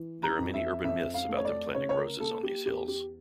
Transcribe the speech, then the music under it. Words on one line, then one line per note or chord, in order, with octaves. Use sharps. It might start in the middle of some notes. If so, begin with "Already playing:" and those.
There are many urban myths about them planting roses on these hills.
Already playing: E3
A#5
F2
E5
F2 E5
F5
A3
C#5
D5
C#3 C#5
C#5
A#4
A#3 A4
G4
E2 G4
G4